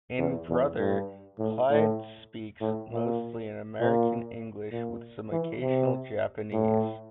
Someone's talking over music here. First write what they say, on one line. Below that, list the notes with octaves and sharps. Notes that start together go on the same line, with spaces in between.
In "Brother", Claude speaks mostly in American-English with some occasional Japanese.
E2
E2
G2
A2
A2
A2
A#2
A#2
A#2
E3
C3
A2